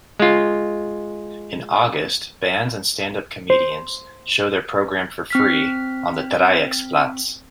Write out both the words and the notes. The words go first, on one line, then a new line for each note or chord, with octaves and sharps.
In August bands and stand-up comedians show their program for free on the Dreiecksplatz.
G#3 F4
C5
C4 F6 B6